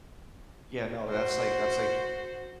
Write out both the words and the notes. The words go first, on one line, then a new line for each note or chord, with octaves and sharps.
Yeah, no, that's, like that's, like,
F#4 C5